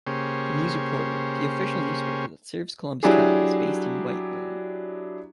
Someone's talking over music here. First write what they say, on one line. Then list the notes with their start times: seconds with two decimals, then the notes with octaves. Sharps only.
"The News Reporter," the official newspaper that serves Columbus County, is based in Whiteville.
0.07 C#3 A#3 G4 G#4 C5 C#5
3.03 F#3 D4 E4 G4 G#4